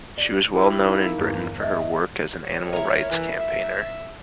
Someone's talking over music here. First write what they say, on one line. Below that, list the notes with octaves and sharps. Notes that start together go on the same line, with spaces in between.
She was well known in Britain for her work as an animal rights campaigner.
D5
E4 G4 B4
A#3 D#4
G1 E2
D#5 E5
C#5
E4 A#4
E3
E5